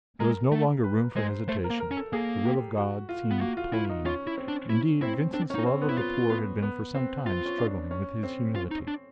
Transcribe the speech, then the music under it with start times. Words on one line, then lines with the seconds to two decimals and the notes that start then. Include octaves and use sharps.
There was no longer room for hesitation; the will of God seemed plain; indeed, Vincent's love of the poor had been for some time struggling with his humility.
0.20 G#3 A#4
0.52 A3
0.84 B4
1.16 G#3 C5
1.48 A3 C5
1.64 A#4
1.70 A#3
1.80 A#4
1.91 C#4
1.97 A4
2.13 A#3 G#4
2.45 G4
2.77 F#4
3.09 F4
3.31 B3
3.41 A#3 F#4
3.57 F4
3.73 E4 F4
3.89 D#4
4.05 C#4 F4
4.27 E4
4.38 C4
4.48 D4
4.69 E4
5.02 C4 E4
5.33 C4 D4
5.50 C#4
5.55 D#4
5.66 C4
5.82 B3
5.89 E4
5.98 B3 F4
6.30 B3
6.62 B3
6.95 C4
7.26 C4 F4
7.46 C#4
7.58 D4
7.91 C#4
8.23 C4
8.55 F4
8.71 D#4
8.88 D4